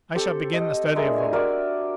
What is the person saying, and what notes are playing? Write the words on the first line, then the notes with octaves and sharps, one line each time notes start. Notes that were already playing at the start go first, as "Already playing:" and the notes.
I shall begin the study of the law.
C4 G4 A4
D#5
G#3 D4 A#4 E5
G#5
F#4 A#4 D5 E5